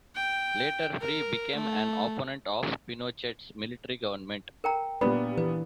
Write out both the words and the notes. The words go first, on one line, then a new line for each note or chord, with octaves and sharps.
Later, Frei became an opponent of Pinochet's military government.
G5
A#4
A3
A#4 G5 A#5
A#2 G3 B3 D4 B4 D5 B5
E3 B4